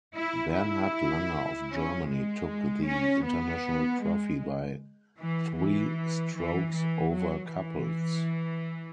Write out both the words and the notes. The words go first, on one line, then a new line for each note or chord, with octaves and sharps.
Bernhard Langer of Germany took the International Trophy by three strokes over Couples.
E4
E4
C#4
G#3
C#4
B3
G#3
E3
E3
E3
E3
F#3
E3